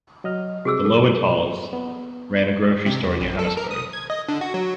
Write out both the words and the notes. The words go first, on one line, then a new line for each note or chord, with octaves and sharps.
The Loewenthals ran a grocery store in Johannesburg.
F#3 D#5 F6
C3 G3 F#4 G#4 D6 E6
F#2 A4
B3
C3
E2
A#1
A4
A#4
D#6
G#6
D#5
D3
F#4
F#3